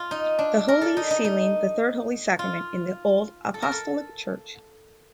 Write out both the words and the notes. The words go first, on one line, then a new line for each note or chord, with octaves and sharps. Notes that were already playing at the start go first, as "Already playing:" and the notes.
The Holy Sealing the third Holy Sacrament in the Old Apostolic Church.
Already playing: F4
D#4
D4
A#4
A4
D#4
D#4
D#4
F4
A4
A#4
A4